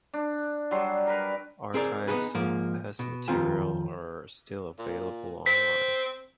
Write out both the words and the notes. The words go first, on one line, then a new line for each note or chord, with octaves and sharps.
Archives of past material are still available online.
D4
F#3 G3 C6
A#4 B4
C4 G#4 A#4 D5
B3 C4 D#4 G#4 B4
G#2 F3 A#3
B2
F2 D#3 C4 F4 G#5
A#2
C4 B6